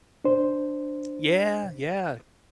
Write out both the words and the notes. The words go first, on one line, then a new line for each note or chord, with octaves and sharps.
Yeah, yeah.
D4 C5